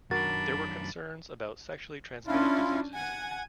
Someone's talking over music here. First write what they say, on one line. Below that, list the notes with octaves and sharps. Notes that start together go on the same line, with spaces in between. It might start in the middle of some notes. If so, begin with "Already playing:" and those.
There were concerns about sexually transmitted diseases.
F#2 D#3 D4 F#4 A#4 B5 A6
C#4 D4 E4 F4
F#5 G#5